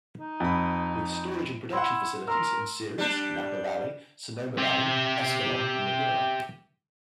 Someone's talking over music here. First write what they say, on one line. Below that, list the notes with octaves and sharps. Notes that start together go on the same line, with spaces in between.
With storage and production facilities in Ceres, Napa Valley, Sonoma Valley, Escalon and Madera.
D#4
F2 B5
E4 F#5 C6
A#4 C6 E6
G3 D4
G4 E5